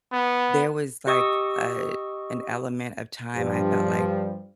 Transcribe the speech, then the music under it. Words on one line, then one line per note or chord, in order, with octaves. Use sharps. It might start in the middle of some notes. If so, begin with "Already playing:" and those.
there was, like, a an element of time I felt like
B3
G4 D#5 C#6 D#6 E6
G2 F3 G3